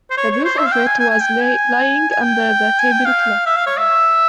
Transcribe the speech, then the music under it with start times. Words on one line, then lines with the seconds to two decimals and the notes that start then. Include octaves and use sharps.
The proof of it was lying under the table-cloth.
0.11 C5
0.17 C#5
0.31 C#5
0.45 C5
0.58 E5
0.66 F5
0.72 G5
0.86 G#5
0.99 G#5
1.10 G#5
1.20 G5
1.41 G#5
2.11 G#5
2.23 G5
2.79 G#5
2.92 G5
3.05 F5
3.46 E5
3.56 F5
3.66 C#5
3.77 E5